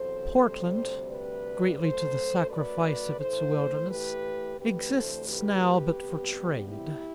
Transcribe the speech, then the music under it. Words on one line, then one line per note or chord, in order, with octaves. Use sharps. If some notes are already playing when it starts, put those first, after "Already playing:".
Portland, greatly to the sacrifice of its wildness, exists now but for trade.
Already playing: E2 C3 F#3 A4 C5
D2 C3 G3
B4 D5
F#2 F#3 A3 A4 C5
B4 D5
A2 E3 A3 A4 C5
G4 B4
D2 C3 E3 A3 G4 B4
A4 C5
G4 B4
D2 C3 G3 B3
E4 G4